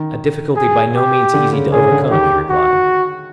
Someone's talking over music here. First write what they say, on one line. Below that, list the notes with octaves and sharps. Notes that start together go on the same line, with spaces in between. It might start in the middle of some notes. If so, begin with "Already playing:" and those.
A difficulty by no means easy to overcome, he replied.
Already playing: D#3
G#4
G4
D3
C#3
C#3 G#4
D3
D#3 G4
F#4